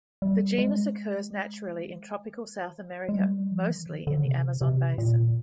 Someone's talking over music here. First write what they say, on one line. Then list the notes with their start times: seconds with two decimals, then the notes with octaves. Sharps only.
The genus occurs naturally in tropical South America, mostly in the Amazon basin.
0.22 G3
0.58 G#3
3.09 G#3
3.15 G3
3.51 F3
3.70 D#3
4.07 D3
4.24 C3
4.61 C3
4.98 A#2